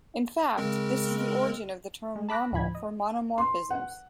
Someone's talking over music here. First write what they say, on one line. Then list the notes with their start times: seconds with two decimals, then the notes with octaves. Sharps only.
In fact, this is the origin of the term "normal" for monomorphisms.
0.58 C#3 G#3 C4 A#4
2.16 G#3
2.29 A5 B5 D6 F#6 A#6
2.52 D2 A2 F3 B5 G#6
2.75 D#5
3.38 C6
3.71 F#5